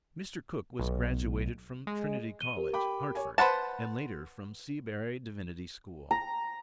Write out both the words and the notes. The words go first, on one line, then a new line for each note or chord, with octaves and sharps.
Mr. Cook was graduated from Trinity College, Hartford, and later from Seabury Divinity School.
B1
G#3
D#7 G7
G4 A#4
G5 B5 D6
C#5 G#5
B4 C5 F#5 A5
A#5